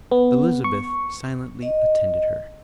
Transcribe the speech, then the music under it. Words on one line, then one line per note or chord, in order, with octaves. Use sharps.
Elizabeth silently attended her.
B3
C#6
D#5